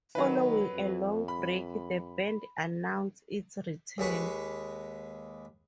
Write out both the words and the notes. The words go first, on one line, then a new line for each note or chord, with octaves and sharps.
Following a long break, the band announced its return.
D#3 F#3 B4
F2
B5
D#2 G#3 B4 C#6